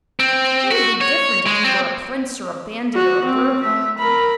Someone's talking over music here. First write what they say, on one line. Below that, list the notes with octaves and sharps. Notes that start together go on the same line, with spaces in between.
It would be different if you were a prince, or a bandit, or a burglar.'
C4
F#4
C#5
G#3
C4
F#4
C4
A3 E5
A#4 B5